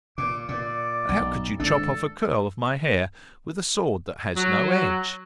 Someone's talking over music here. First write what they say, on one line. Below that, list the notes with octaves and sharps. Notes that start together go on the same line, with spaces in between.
"But how could you chop off a curl of my hair with a sword that has no edge?"
A#2 D6
A#2 D5
B1
G#1 D4 A4
F#3